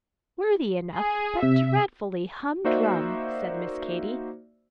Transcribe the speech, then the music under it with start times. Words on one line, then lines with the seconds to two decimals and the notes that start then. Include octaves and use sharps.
"Worthy enough, but dreadfully humdrum," said Miss Katy.
0.98 G#4
1.43 C3 E5
2.65 A#3 D#4 F#4 C5 D5 E5